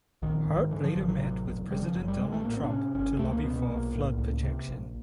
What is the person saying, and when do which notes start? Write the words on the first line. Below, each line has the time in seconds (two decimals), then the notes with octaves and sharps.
Hart later met with President Donald Trump to lobby for flood protection.
0.22 A#1 D#3
0.47 G#2
0.71 D3 E3
0.84 F3
0.96 A1 F3
1.09 F#3
1.21 C3
1.46 E1
1.70 C#3 G3
1.83 F3
1.95 F#1 F#3
2.08 G3
2.20 A#1 G#3
2.32 A3
2.45 A2 A#3
2.57 C4
2.64 D4
2.69 C3 C#4
2.94 G1 C#4
3.19 C#2 A3
3.31 A#3
3.44 B2 B3
3.56 B3
3.68 B1 A#3
3.94 A2
4.18 C#2
4.43 C3
4.68 A#1